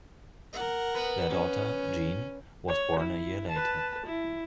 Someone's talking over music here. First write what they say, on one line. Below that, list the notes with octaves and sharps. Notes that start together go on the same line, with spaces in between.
Their daughter, Jean, was born a year later.
A#4 F#5
B3
C#4
C#5
E4
B4 A5
E4